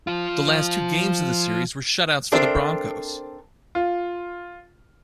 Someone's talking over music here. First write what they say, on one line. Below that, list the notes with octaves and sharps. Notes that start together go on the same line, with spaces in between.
The last two games of the series were shoutouts for the Broncos.
F3 F4
C4 D4 A4 A#4 C5 E5
F4